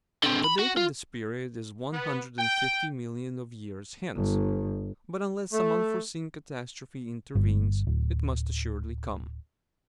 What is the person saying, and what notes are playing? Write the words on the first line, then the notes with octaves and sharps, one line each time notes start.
The date of this period is one hundred and fifty millions of years hence, but unless some unforeseen catastrophe intervenes, it must assuredly come.
D3 C4
B5
F#4
F4
B3
G5
G1
A3
G1
D1